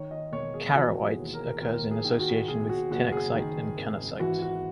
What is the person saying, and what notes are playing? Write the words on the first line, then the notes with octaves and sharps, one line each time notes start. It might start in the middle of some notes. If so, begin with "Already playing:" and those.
Charoite occurs in association with tinaksite and canasite.
Already playing: D#3 C#5
D#5
E1 C#5
G#4
E3 F#4
G#4
D#2
A#4
D#2 A#4
G#4
D#3
F#4
B2 G#4
F#4
F#1 F#4
G#4
D#3
G#1
E3 F#4
F#4